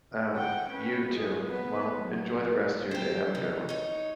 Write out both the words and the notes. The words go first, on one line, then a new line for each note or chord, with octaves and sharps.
Oh, you too. Well, enjoy the rest of your day, have a good one.
F#5 G5
C#4 B4
G#3 F4
B3 B4
F#3
G4 C5
C#3 D#4
D#4 C#5